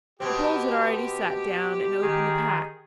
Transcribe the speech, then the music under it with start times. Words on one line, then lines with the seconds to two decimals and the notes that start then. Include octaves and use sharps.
The Poles had already sat down, and opened the pack.
0.20 B2 C4 G4
2.02 D#3 G#4